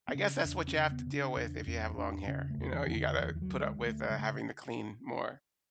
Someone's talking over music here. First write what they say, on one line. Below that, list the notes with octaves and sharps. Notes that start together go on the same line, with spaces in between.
I guess that's what you have to deal with if you have long hair, you know, you gotta put up with, uh, having to clean more.
B3
C#3 C#4
C#4
E2 D4
C#4
C#3
B3
C#3
D4
E2 D4
E2 C#4
E2 D4
C#3 C#4
A3
E2
E3
E2 E3
D3
D2 E3
E3
F#3
D2
G#3
D2
A3
C#3 G#3
A3